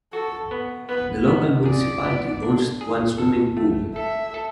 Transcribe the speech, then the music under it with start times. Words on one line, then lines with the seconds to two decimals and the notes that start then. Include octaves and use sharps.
The local municipality owns one swimming pool.
0.13 F#4 A4
0.51 B3
0.89 B3 B4
1.28 B3
1.65 G#4 D5
2.04 B3
2.43 D4
2.81 G#4
3.18 A4
3.57 A3
3.95 A4 E5
4.34 A4